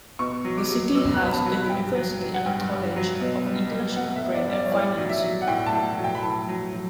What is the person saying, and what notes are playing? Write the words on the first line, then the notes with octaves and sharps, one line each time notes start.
The city has a university and a College of International Trade and Finance.
B2 C#6
F#3
D6
F#3
B2 E6
F#6
B2
B5
A5
F#3
B5
G2 G5
F#3
F#3
F#5
G2 G5
G2
F#3
B2
G3
G3
B2 F#5
E5
B2
D5
G3
D5
C#5
A2 D5
F#3
E5
F#3
F#5
A2 G5
A5
A2
F#3
G5
B5
A2 A5
F#3
F#3